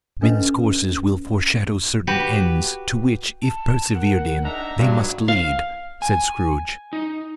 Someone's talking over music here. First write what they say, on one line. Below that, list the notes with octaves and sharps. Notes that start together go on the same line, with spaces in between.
"Men's courses will foreshadow certain ends, to which, if persevered in, they must lead," said Scrooge.
C#4 D4 F4 A4 B4 D#5
F#4 G4 B4
A5
A#4 F#5
D4 D#4 G#4 E5 A#5
G2 F#3
F5
G#5
D#4